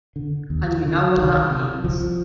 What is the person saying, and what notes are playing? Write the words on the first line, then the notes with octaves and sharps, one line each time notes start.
And you know what that means.
D3
D#2
D3
C2 D#3
C3
C2 F3